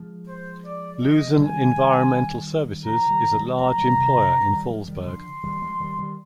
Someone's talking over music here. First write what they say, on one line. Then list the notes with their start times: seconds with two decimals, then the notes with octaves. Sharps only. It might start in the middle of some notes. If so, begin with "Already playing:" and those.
Luzon Environmental Services is a large employer in Fallsburg.
Already playing: F3 G#3
0.28 C5
0.65 D5
1.02 D#5
1.38 D#3 G3 G#5
2.86 D3 F3 A#5
3.10 D#3 G3
3.24 F3
3.35 D#3 G3
3.59 F3 G#3 A#5
3.78 D#3 G3
3.97 C3 D#3
4.15 C3 D#3
4.33 D3 F3
4.51 D#3 G3
4.70 F3 G#3
4.88 D#3 G3
5.06 D3 F3 C6
5.43 D#3 G3
5.62 F3 G#3
5.80 D#3 G3
5.98 D#3 G3